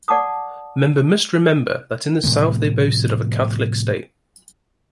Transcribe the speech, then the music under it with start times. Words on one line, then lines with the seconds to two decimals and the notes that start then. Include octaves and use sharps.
Member must remember that in the South they boasted of a Catholic State.
0.08 D5 F#5 A5 D6 D#6
2.24 A2 C3 F3 A3